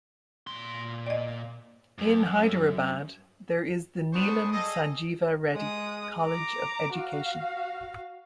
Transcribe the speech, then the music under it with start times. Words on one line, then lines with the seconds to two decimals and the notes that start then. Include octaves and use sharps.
In Hyderabad, there is the Neelam Sanjeeva Reddy College of Education.
0.47 A#2 C6
1.06 D5 D#5
1.98 F#2
4.13 B3 D4 B4 C5 C#6 D#6
4.52 G3 G#4 A4 D#5
5.53 G#3 D#6
6.22 A#5 D6
6.94 F#4 F5